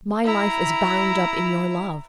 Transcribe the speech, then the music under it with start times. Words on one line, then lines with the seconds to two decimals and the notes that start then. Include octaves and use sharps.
My life is bound up in your love.
0.24 E4 A#5